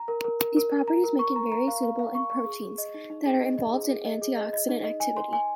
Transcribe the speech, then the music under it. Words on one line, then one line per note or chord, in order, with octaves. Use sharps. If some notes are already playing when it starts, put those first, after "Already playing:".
These properties make it very suitable in proteins that are involved in antioxidant activity.
Already playing: A#5
A#4
A#4
A#4
A#4
A#4
A#5
A#4
C#6
A#5
A#5
F5
F5
F5
C#6
C#6
G#4
G#4
D#5
D#4
D#4
G#4
D#5
D#5
G#4
G#4
D#5
G#4
D#5
D#5
D#4
D#5
G#5
C6
G#5